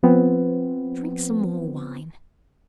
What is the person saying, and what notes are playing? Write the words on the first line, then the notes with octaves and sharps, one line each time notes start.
Drink some more wine.
F3 B3 C4